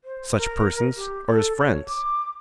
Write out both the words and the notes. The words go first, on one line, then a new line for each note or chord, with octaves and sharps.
Such persons are his friends.
C5
A#4
G4
A4
C#5
D6